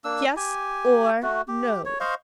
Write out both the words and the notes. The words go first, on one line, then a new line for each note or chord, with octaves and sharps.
"Yes, or no?"
A#3 D4 E6
G4 G#5
A3 F#4
G4
C#5
C5 D#5 F5 C#6